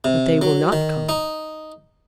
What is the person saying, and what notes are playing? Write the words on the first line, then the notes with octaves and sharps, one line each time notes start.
"But they will not come."
C3
F#3
D#3
D#4